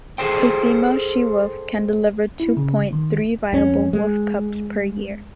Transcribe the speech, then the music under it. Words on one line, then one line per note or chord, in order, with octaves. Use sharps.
A female she-wolf can deliver two point three viable wolf cubs per year.
G#4 A4 C5 G5
E4
C#3
D#3
F2 C#4
G#3